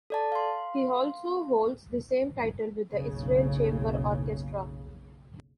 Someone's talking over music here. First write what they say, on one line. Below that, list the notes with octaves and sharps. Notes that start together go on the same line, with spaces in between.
He also holds the same title with the Israel Chamber Orchestra.
A4 D5 A5
F5 C6
F#1 B1 C#3